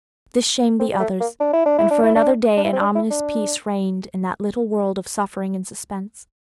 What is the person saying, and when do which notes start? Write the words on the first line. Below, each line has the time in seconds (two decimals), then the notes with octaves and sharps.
This shamed the others, and for another day an ominous peace reigned in that little world of suffering and suspense.
0.80 C4
0.93 G3
1.00 A3
1.20 A#3
1.40 D4
1.53 E4
1.66 D4
1.78 E4
1.91 D4
2.03 E4
2.15 D4
2.57 D4
2.64 E4
2.73 C4
2.80 D4
2.95 E4
3.11 D4